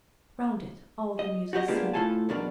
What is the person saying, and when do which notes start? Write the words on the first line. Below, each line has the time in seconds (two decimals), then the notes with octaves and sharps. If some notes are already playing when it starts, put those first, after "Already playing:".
Round it all the Muses sing.
1.19 D#5
1.53 F#4 G4 B4 D#5
1.68 G#3 A#3 B3 D4 F4 G4
1.93 A2 D#4 F4 A4 G#5 A5
2.29 B1 E2 B2 F#3 D4 A#4